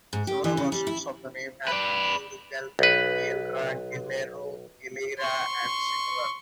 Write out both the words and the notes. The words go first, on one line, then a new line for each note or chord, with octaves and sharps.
Several versions of the name have been used: "Gelre, Gielra, Gellero, Gelera" and similar.
G#2
G4
E3
C#3
G3
E4
B4 D5
B1 B4
C6 C#6